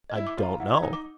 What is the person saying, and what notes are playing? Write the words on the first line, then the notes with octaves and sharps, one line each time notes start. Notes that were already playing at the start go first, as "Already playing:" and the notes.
"I don't know."
D#5
E4
D6
F4
A#5
E4 F#5
D#5
D#4
D6